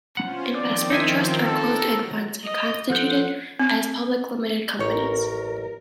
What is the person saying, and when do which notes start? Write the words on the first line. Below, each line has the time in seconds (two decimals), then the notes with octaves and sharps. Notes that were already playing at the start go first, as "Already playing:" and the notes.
Investment trusts are closed-end funds and are constituted as public limited companies.
0.17 C#4 F4 C5 F#5
0.55 D#3 F3 C4 D5
0.90 D#4 E4 G#5
1.46 A4 A#4 A#6
1.89 F#3
2.44 D#5
2.90 F3 A4 F#5 G6
3.60 C4
4.79 A1 G4 A#4 C#5